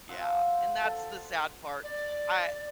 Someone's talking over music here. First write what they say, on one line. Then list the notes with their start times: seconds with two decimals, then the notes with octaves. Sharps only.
Yeah, and that's the sad part. I
0.09 F4 C5 F#5 E6
0.81 A4
1.83 D5